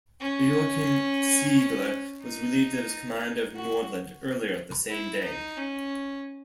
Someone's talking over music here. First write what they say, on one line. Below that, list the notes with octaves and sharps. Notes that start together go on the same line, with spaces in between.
Joachim Ziegler was relieved of his command of "Nordland" earlier the same day.
C#4
D#4
F#4
E4
D#4
C#4